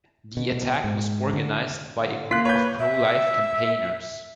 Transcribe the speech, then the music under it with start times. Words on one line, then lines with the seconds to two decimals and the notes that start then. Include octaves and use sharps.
The attack was organised by a group of pro-life campaigners.
0.37 B2
0.84 G#2
1.33 D3
1.98 D3
2.31 A#3 F4 F#6 B6
2.45 B4 C#5 G6
2.79 E5